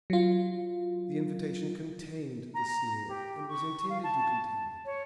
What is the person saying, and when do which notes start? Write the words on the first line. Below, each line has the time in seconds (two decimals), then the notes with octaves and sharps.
The invitation contained the sneer, and was intended to contain it.
0.10 F#3 F4
2.54 A#5
3.08 G4
3.49 C#6
3.90 F5
4.04 A5
4.85 C#5